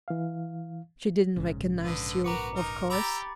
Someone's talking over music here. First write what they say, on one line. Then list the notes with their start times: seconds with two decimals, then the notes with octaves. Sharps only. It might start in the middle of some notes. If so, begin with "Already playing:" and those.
"She didn't recognize you, of course?"
0.08 E3 F5
1.37 A#1 G#2 C#3
1.82 D3 B4 D#6
2.24 F#4 A#4 B4 A#5 D6 C#7
2.55 D#4 A#4
2.90 G4 A#5 B5 D6 E6 A6